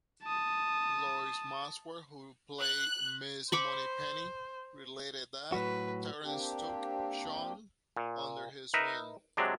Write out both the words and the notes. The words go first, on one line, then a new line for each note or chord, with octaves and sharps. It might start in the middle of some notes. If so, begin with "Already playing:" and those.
Lois Maxwell, who played Miss Moneypenny, related that Terence took Sean under his wing.
A5 D#6
F#6
C5 B5 C#6 D6
A2 F#3 F#4 B4
A#3 C4 D4 G4
A#2
D#4 A#4 B4 E5
C3 F#3 G#3 D4